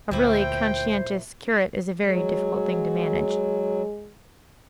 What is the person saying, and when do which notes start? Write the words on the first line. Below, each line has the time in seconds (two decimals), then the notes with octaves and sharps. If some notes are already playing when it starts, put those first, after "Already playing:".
A really conscientious curate is a very difficult thing to manage.
0.11 D2 A#2 E4 C5 G5
2.05 F#3 G#3